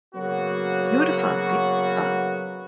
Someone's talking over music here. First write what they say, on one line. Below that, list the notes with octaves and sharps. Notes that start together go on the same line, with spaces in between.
Beautiful, beautiful.
C#3 F#3 A#3 B3 F#4